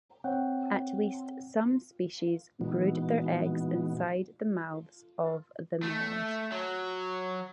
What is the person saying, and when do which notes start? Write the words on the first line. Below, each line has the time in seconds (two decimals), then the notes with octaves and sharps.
At least some species brood their eggs inside the mouths of the males.
0.24 C4 C#5 F#5 G5
2.61 A#2 E3 G#3 B3 D#4 F#4
5.83 A3
6.52 F#3